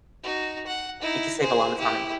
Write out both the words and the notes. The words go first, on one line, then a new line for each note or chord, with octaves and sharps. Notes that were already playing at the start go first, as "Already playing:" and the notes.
it can save a lot of time.
D#4 F#4
F#5
D#4 E4
G#4 C5
E4 G4